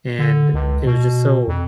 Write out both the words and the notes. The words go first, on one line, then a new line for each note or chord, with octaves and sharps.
and it was just so
D3
C#2
B2
F2